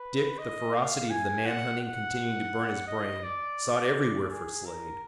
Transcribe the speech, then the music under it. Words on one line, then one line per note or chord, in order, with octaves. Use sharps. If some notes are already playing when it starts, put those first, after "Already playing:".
Dick, the ferocity of the man-hunt continuing to burn his brain, sought everywhere for Slade.
Already playing: B4
D#5
F5
G#5
F#5
F#5
D#5
D5
D5
G#4
A#4